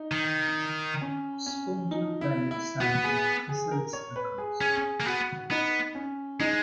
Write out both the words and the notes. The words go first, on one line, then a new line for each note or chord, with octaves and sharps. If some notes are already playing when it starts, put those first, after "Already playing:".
Spandau Ballet signed with Chrysalis Records.
Already playing: D#4
D#3
C#4
C#4
D#4
E4
E4
B3 F#4
G#4
G#4
A#4
C#5
B4
G#4
C#4 G#4
A#3
B3 F#4
B3 D#4
C#4
G#3 D#4